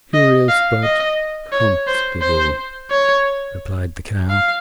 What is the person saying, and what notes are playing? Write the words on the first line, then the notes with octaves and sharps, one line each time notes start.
"Curious, but comfortable," replied the Cow.
D#5
F5
D#5
C#5
C5
C5
C#5
F5